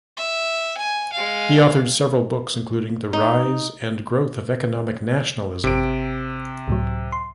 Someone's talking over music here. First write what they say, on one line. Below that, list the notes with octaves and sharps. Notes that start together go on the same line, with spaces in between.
He authored several books, including "The Rise and Growth of Economic Nationalism".
E5
G#5
G#3 F5
D#4
G#1 C3 D7
C#2 A2 F#3
C6